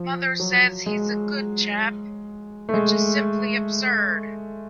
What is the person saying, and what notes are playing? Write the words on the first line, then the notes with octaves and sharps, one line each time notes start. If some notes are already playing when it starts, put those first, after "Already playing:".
Mother says he's a good chap, which is simply absurd.
Already playing: F3
F#3
G#3
A3
G#3